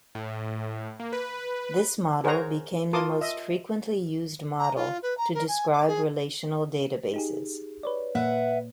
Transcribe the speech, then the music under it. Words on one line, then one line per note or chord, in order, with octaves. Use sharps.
This model became the most frequently used model to describe relational databases.
A2
A#3
B4
G#4 A#4 C5 C#5 F#5 A#5
F4 A#4 A5 C6 D6 D#6
D#5 E5
A#5
F4
B4
A#5
A#4
G#5
D6
G#4
D#4 G4 G#4
B4 C#5 D5
A#2 A#3 B4 E5 F#5